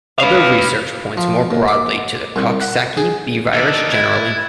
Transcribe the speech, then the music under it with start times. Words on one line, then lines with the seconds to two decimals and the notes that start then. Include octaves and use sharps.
Other research points more broadly to the Coxsackie B virus generally.
0.20 B4 F5
1.17 F3
1.51 D#2
1.68 D6
2.36 C2
2.61 F#5
2.97 G#4
3.54 D#3 D4 D#5 E6 F#6 A6
3.92 E4 G#6